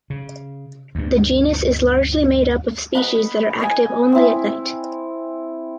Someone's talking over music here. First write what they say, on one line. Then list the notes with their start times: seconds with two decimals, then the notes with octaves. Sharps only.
The genus is largely made up of species that are active only at night.
0.10 C#3
0.95 D2 G2
2.94 B4 D#5 F#5 B5
3.60 D#5 G#5
4.12 C4 E4